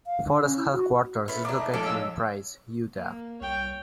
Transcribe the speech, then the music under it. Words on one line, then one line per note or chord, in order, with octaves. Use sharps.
Forest headquarters is located in Price, Utah.
F5
D3
C#4
E4
F#4
C#4 E4 A4 B4 F5
A3 D4 E4 G#4 A#5 D6
D#4 A#4
A#1 A4 C#5 F5 D6
G#3 D4 E6
A#3
C2 C#5 G5